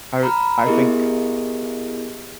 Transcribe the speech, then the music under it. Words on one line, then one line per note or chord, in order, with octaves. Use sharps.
I I think
A#5 B5 F6
B3 E4 G4 G#4 A#4 D#5